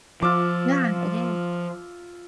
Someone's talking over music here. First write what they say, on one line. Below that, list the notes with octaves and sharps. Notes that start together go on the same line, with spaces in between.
Yeah, it is.
F3 F4 E5 D6